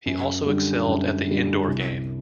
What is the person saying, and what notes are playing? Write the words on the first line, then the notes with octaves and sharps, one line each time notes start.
He also excelled at the indoor game.
F#2
D3 G3
F#2
D3 G3
C2